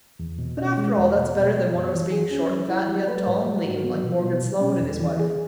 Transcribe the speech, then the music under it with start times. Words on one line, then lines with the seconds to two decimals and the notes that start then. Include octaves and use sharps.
But after all that's better than one of us being short and fat and the other tall and lean, like Morgan Sloane and his wife.
0.19 E2
0.39 B2
0.57 C#4
0.77 G#3
0.97 E2
1.16 B2
1.35 B3
1.54 F#3
1.74 F#2
1.93 E3
2.12 G#4
2.31 C#4
2.50 F#3
2.69 E4
2.89 F#3
3.08 B4
3.27 G#2
3.46 F#3
3.65 F#4
3.84 B3
4.04 B2
4.23 F#3
4.42 B2
4.61 C#4
4.81 E2
5.00 E3
5.19 G#4